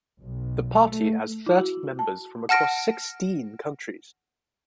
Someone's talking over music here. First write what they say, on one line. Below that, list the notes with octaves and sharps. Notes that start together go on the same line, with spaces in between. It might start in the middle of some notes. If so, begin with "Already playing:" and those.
The party has thirty members from across sixteen countries.
B1
A3
E4
F#4
A5
F#5 A5 F6 A#6 D7